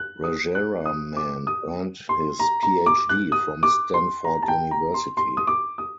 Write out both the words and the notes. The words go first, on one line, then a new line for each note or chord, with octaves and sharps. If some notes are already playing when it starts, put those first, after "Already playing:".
Rajaraman earned his Ph.D. from Stanford University.
Already playing: F#6
D#6
F#6
D#6
D6
D#6
C6
A#5
A#5
D6
F#6
D#6
D6
C6
A#5
A5
G5
A#5
C6
C6
D#6
D6
D#6